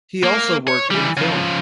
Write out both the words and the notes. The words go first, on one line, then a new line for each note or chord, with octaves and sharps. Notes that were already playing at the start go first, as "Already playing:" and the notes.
He also worked in film.
A#3
C#5
E3 G3
C#3 F3